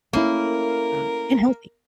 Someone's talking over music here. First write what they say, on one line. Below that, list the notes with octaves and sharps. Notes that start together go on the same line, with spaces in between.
uh, and healthy.
A3 A#3 C#4 E4 A#4